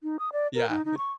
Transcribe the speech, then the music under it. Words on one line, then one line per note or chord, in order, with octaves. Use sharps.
Yeah, it's
D#4
D#6
D5
A#4
D#4
D#4
C#6